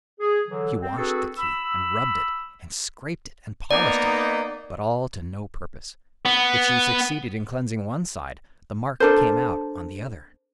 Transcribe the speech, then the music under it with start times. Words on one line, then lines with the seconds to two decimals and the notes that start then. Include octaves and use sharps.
She washed the key and rubbed it, and scraped it and polished it, but all to no purpose, if she succeeded in cleansing one side, the mark came out on the other.
0.20 G#4
0.47 D3 E3 F#3
0.80 C4
0.97 C4 D4 F#4 G#4 A4 B4
1.37 B5 E6
3.71 A#3 B3 D#4 D5
6.25 B3
9.00 D4 A4 A#4 C5